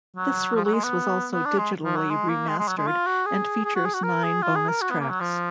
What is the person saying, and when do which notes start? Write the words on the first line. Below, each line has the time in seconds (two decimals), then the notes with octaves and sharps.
This release was also digitally remastered, and features nine bonus tracks.
0.16 F#3
0.56 F3
0.65 F#3
0.74 G#3
0.84 B3
1.33 B3
1.46 D4
1.58 G#3
1.84 F3
1.97 F#3
2.11 G#3
2.29 A#3
2.49 G#3
2.59 G#3
2.68 F#3
2.78 G#3
2.87 F4
3.07 F#4
3.26 G#4
3.65 G#4
3.76 F#4
3.85 G#4
3.94 F#4
4.04 A#4
4.24 G#4
4.42 F4
4.56 G#4
4.69 A#4
4.82 F#4
4.91 B3
5.01 A#3
5.11 F#3
5.21 F3